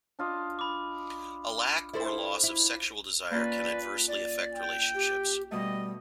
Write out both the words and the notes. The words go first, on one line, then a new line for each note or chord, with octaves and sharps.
A lack or loss of sexual desire can adversely affect relationships.
D4 F4 D#5
B5 D6
E4 A4 C5
E4
A#3 C#4 F4 B4 D5
D5
G5
G4
B2 G3 A3 D#5